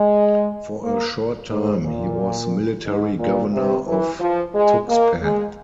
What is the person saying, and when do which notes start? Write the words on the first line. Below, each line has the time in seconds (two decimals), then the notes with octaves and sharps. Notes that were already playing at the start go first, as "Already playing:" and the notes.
For a short time, he was Military Governor of Tuxpan.
Already playing: G#3
0.83 A#3
1.50 G#2
1.84 A#2
2.86 G#2
3.19 A#2
3.53 C3
3.88 E3
4.20 F3
4.55 G#3
4.88 A#3
5.22 G#3